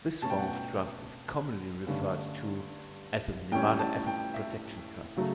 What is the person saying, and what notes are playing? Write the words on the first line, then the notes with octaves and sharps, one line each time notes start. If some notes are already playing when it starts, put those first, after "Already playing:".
This form of trust is commonly referred to as a "Nevada Asset Protection Trust".
B2 A3 C#4 A5
G5
F#5
G5
G2 D3 A3 C#4
A2 E3 G3 C#4 G5
A5
G5
E5
C#3 F#3 A3